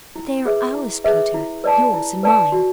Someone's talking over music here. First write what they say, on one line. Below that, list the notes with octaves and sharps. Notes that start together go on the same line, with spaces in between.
'But they are ours, Peter, yours and mine.'
E4
G#4 B4 E5
E4
G#4 B4 E5
E4
B4 D5 A5
E4
B4 D5 A5
F#4